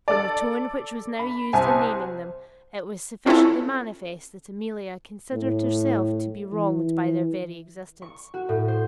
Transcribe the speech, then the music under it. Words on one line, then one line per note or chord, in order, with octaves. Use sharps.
From the tone which was now used in naming them, it was sufficiently manifest that Amelia considered herself to be wronged by their very existence.
A4 D5
B5
C2 C5 G#5 A5
C4 C#4 E4 F4 A4
A2
E3
C#6
F#4
A2
C5